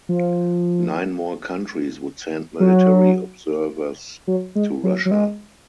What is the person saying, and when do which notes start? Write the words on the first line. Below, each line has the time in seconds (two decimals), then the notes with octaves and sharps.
Nine more countries would send military observers to Russia.
0.09 F3
2.60 F#3
4.27 F#3
4.55 G#3
4.84 F#3
5.06 F#3
5.11 G#3